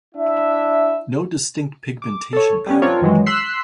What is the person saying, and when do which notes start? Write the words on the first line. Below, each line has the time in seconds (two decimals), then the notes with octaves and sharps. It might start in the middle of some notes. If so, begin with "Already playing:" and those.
No distinct pigmentation pattern.
0.15 D4 E4 E5
2.02 D6
2.33 A4 C#5
2.66 G3 B3 C#4
2.82 C4 D4 F4 A#4 C#5
3.01 F#2 D#3 E3 F#3 G#3
3.26 C6 E6 F#6 B6 C7